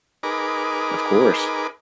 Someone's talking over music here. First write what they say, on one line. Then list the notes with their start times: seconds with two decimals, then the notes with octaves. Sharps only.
Of course.
0.23 D#4 G#4 A#4 B4 D6